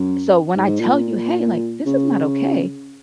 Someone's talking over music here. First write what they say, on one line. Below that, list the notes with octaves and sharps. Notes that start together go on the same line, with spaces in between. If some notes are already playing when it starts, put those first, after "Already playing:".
So when I tell you, "Hey," like, "this is not okay,"
Already playing: F#2
G#2
G#2
A#2
C#3